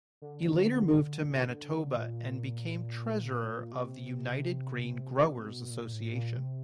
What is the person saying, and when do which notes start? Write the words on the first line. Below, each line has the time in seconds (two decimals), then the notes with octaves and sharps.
He later moved to Manitoba, and became treasurer of the United Grain Growers association.
0.22 D3
1.97 A#2
3.73 C3
5.49 B2
5.70 A#2
5.92 A2
6.15 A#2
6.36 C3